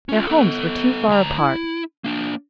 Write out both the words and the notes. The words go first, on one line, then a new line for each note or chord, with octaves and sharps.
Their homes were too far apart.
C#4 F4
B3 A4
D2 A#5
E4
A#3 D4